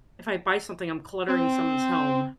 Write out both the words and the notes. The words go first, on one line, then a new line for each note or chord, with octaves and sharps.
if I buy something, I'm cluttering someone's home.
C4